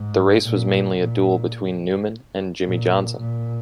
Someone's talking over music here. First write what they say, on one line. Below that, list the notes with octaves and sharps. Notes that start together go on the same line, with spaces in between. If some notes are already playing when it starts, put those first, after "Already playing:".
The race was mainly a duel between Newman and Jimmie Johnson.
Already playing: G#2
A#2
A#2
A#2
A#2